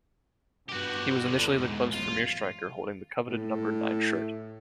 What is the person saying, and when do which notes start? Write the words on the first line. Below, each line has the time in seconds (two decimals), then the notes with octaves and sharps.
He was initially the club's premier striker, holding the coveted number nine shirt.
0.69 G2 B3 F#4 G4
1.24 E2 G2 D3
1.58 B1 G#2
1.93 A1 F#2 F4
3.27 A2